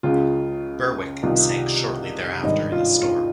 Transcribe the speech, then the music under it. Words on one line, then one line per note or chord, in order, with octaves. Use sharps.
"Berwick" sank shortly thereafter in a storm.
C#2 C#3 F4
C2 C3 D#3 F4
G#1 G2 D#3 D#4
F4
F4